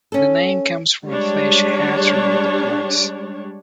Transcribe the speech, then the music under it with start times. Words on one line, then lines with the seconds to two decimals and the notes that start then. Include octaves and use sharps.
The name comes from a fish hatchery at the place.
0.12 C#4 A4
1.07 G3 G#3 D4 G4 C#5